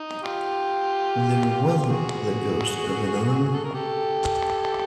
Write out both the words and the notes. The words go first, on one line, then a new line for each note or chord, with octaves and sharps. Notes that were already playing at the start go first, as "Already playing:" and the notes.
There wasn't the ghost of an arm!
Already playing: D#4
F4 G4
F#4 G#4
A4
A#4
G4 A4